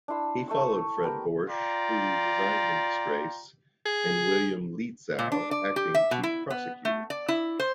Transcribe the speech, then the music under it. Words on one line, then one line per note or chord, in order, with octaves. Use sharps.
He followed Fred Borch, who resigned in disgrace, and William Lietzau, acting Chief Prosecutor.
D4 E4 C6 E6
A3 C#6 E6
B3 G4 A#4 G5
F4 D5 G5 A#5
G#4
A#2
D4
D5
G4
E5
B2
E4
B3
A3
D5
E4
C5